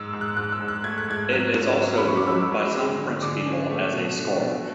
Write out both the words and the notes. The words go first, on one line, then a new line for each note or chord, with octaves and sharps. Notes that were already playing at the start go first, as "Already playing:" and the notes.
It is also worn by some French people as a scarf.
Already playing: G#2 E6
G#2
F#6
G#2 F#6
E6
G#2
F#6
A3 G#6
F#6
G#2 G#6
F#3 F#6
G#2
F#3
B5
E2 C#6
D6
C#4 E6
F#3
G#3
D3
D3 D6
C#4
A3
B2
D4
B2